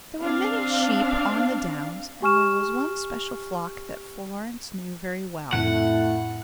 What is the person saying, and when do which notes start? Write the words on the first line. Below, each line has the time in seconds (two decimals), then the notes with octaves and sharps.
There were many sheep on the downs, and there was one special flock that Florence knew very well.
0.22 C4 D4 F5
2.22 G4 G#5 C#6 F6 E7
5.53 F2 A2 A3 C4 E4 F#5